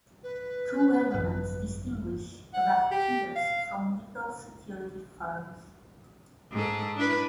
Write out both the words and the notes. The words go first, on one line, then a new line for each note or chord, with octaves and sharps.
Two elements distinguish racketeers from legal security firms.
B4
G#1 F#2
F#5
G4
F5
G#2 G#4 A4
D4 E4 B4